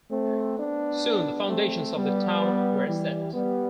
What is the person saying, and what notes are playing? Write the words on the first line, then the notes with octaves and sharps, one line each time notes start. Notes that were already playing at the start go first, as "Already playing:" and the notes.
Soon the foundations of the town were set.
A3 C4
B3 D4
A3 C4
G3 B3
E3 G3
G3 B3